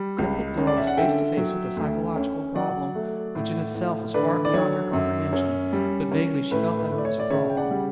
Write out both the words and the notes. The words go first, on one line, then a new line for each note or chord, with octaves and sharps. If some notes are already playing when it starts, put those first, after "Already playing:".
The crippled girl was face to face with a psychological problem, which in itself was far beyond her comprehension, but vaguely she felt that it was a problem.
Already playing: G3
C#2
C#4
D5
E5
F#5
D3 E5 G5
F#3
D2
C#4
F#3 D5 F#5
A3
A2
A2
D3 B4 D5
D5
F#3 C#5
F#2
C#4
G3
C#4
A2 B4
B4
A2
D5
C#5
D5
C#3 C#5 E5
G5
D5 F#5
G3